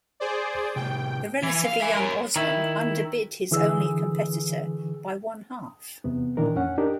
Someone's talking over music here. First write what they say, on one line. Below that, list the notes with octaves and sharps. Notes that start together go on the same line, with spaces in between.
The relatively young Osman underbid his only competitor by one-half.
G#4 C5 D5
A2 C3 G5
E3
F5
E5 G#5
A#4 C#5
D#3 E4
D3 E3 G#4 E6
E2 C3 B3
A#2 D#3 E3 D4 A#4
F2 C#4 F#5
D4 D#4 G4 A#4